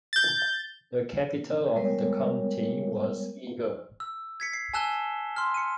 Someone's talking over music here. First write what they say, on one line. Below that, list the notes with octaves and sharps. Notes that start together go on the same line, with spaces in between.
The capital of the county was Eger.
G6 A6
G3 G#3 B3 A#4 C#5
E6
G#6 B6 C#7
C7
G#5 A5 E6 F#6 E7 G7
C6 F6
C#7 D#7